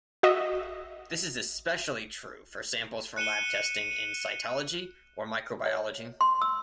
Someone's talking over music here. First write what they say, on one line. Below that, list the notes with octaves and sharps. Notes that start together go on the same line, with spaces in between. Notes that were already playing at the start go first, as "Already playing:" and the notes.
This is especially true for samples for lab testing in cytology or microbiology.
F#4 D#5 E5
F#6 C#7 D#7 E7 G7
C#5
C6
E6